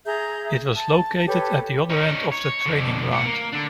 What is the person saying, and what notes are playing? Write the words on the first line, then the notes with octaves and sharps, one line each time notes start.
It was located at the other end of the training ground.
G#4 E5 A#5 G6
A5
G4 A4 B4 C#5
C#4 D#4
C#5
F2 D3
A2 F#5
A#3
D3 D4